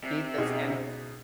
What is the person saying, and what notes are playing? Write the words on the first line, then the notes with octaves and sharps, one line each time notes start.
Eat the skin with
C3
B2 D#4 G#4